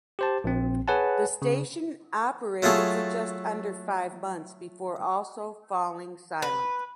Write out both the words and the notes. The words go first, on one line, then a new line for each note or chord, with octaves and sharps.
The station operated for just under five months before also falling silent.
G4 C5 A5
A#1 C4
G#4 B4 C#5 F#5 G#5 A5
C#3
F#3 A3 F4 G#4 A4
B4